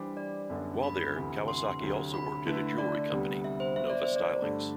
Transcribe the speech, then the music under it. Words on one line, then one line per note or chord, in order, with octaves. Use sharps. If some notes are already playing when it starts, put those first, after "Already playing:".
While there, Kawasaki also worked at a jewelry company, Nova Stylings.
Already playing: E3 G3 D4 G4 C5
D5
F#2 D3 G3 B3 D4
B5
D2 C3 E3
C6
D2 C3 F#3
B5
D3 A3 E4 B4
D5
D2 C3 G3 B3
E5
C5
F#3 B3 F#4 B4 E5
D5
C5
D5
G2 D3 A3